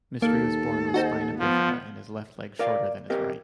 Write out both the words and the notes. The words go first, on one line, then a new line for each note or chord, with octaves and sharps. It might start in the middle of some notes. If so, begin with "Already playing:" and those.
Mistry was born with spina bifida and his left leg shorter than his right.
D#2 A#3 A4
C4 D#4 F#4
F3 B3
A#4 D5 F5
C4 G4 A#4 D#5